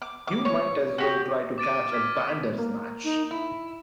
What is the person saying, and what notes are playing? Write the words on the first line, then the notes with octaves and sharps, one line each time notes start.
You might as well try to catch a Bandersnatch!
D6
D6
C#5
F#4 G4
D6 A6 D7 D#7
D6 F6 G#6 B6
A#3
D#4
E4